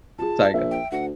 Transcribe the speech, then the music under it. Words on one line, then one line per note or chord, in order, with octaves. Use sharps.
Sorry, go ah
F4 G#4 A5
A#1 E5
G5
D2 F#5